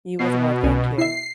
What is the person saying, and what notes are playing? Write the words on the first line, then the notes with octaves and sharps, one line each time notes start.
You as well, thank you.
B2 C7
C2 C#4 G#5
E4 E5 C7